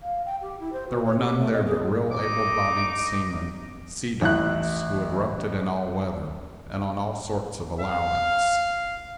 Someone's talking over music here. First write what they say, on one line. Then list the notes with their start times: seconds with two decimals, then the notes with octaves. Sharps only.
There were none there but real able-bodied seamen--sea dogs, who had roughed it in all weather, and on all sorts of allowance.
0.03 F5
0.26 G5
0.42 G4
0.60 E4
0.73 C5
0.88 F#4
1.05 C#5
1.19 G4
1.39 A3
1.53 D#5
1.65 G#4
2.12 D#4 D6
4.22 A1 E4 F#6
7.80 F5